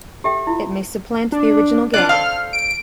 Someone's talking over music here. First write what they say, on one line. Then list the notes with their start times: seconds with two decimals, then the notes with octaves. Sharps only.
It may supplant the original game.
0.24 G4 A4 E5 F#5 G5
0.47 E4 F4
1.32 D4
1.94 D4 F4 D5 F#6
2.09 A4 C5 F5 F6
2.53 D7